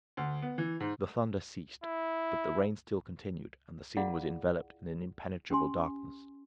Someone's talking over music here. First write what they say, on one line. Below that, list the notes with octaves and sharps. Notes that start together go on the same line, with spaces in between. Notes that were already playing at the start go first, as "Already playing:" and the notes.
The thunder ceased; but the rain still continued, and the scene was enveloped in an impenetrable darkness.
D2
B3
E3
G#2
E4
E4 F4 G#4 D5 F5 F#5
C#4 G4 G#5 C6